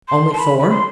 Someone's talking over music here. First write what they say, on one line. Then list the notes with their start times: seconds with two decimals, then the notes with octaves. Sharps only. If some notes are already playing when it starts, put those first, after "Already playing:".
Only four?
0.08 C6
0.33 A5
0.39 B5
0.59 B5
0.70 C6